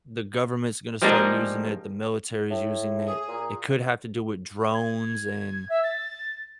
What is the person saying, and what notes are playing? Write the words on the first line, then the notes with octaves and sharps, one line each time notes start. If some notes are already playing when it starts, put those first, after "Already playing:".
the government's gonna start using it, the military's using it. It could have to do with drones, and
F3 G3 G#3 A#3 D4 D#4
A2
G#4
A#2
G#6
E5
A6